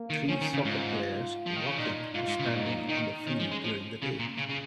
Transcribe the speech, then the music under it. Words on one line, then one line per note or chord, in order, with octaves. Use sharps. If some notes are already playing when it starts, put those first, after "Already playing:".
Three soccer players walking or standing on the field during the day.
Already playing: A#3
D#3
F3 C#4
D#3
C#3
G#2 F4
F3
D#3
C#3
A#2 D#4
G#2 F4
G#2
C#3
A#2
G#2 D#4
A#2
D#3 D#4
D#3 C#4
F3
G#3
F3
C#3
A#2
C#3
C#3